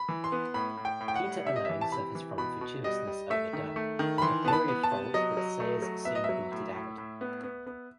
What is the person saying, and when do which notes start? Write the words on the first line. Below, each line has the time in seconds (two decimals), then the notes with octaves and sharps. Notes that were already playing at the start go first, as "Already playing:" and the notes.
Peter alone suffers from fatuousness overdone, a period fault that Sayers soon blotted out.
Already playing: B5
0.09 E3
0.24 C6
0.32 B3
0.54 A2 B5
0.77 A2
0.85 G5
1.01 A2
1.08 G5
1.15 F#5
1.23 G3
1.47 C3 E5
1.56 D#5
1.65 E3 E5
1.81 A5
1.92 C3 B5
2.15 E3
2.38 B2 B5
2.61 B2
2.84 G3 D#5
3.07 G3
3.30 A3 E5
3.53 D#3
3.76 A3
3.99 D#3
4.18 B5
4.22 E3 C6
4.45 B3 A5
4.53 B5
4.68 B3
4.83 A5
4.91 C3
5.14 F#3 D#5
5.37 F#3
5.60 A3
5.82 F#3
6.05 B3 E5
6.15 D#5
6.24 F#3 E5
6.52 A2
6.75 A2
6.98 A2
7.21 B3
7.43 B3
7.66 B3